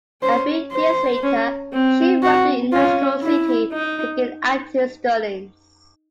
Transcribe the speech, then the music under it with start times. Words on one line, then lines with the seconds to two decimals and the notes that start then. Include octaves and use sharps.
A few years later, she arrived in Mexico City to begin acting studies.
0.23 C#4 C5
0.73 C5
1.23 C#4
1.73 C4
2.23 F#4
2.73 C#4 F4
3.22 E4
3.72 D#4